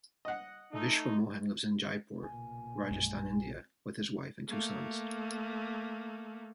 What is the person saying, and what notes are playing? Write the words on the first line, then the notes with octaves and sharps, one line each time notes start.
Vishwa Mohan lives in Jaipur, Rajasthan, India, with his wife and two sons.
D#5 F#5
A3 D#4
B1 A#2 C#3 G#5
A#1 F#2 G#3
A3 A#3